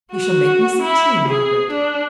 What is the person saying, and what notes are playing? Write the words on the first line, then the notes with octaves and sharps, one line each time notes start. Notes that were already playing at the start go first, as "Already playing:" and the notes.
You shall make me some tea, Margaret.
F#4
E4
G#4
D4